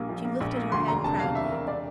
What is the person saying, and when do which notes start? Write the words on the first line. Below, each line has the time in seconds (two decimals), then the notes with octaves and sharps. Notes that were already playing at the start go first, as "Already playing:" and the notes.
She lifted her head proudly.
Already playing: A#1 G3 A#3
0.09 F3
0.25 A#3
0.41 A#1
0.56 A#3
0.72 D2 C6
0.88 E1 A#5
1.04 C3 A5
1.20 C3 F5
1.35 C3 E5
1.52 E1 A#4
1.68 D5